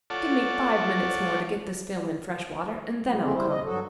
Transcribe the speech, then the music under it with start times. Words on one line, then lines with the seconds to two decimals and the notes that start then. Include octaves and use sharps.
"Give me five minutes more to get this film in fresh water and then I'll come."
0.10 F4 A4 C#5 D5 F#5 A5
3.08 B2 F3 G3
3.20 F2 C#3 G#3 A3 C4
3.34 G3 E4 C5
3.48 D#5
3.63 G2 F#3 F#4 A4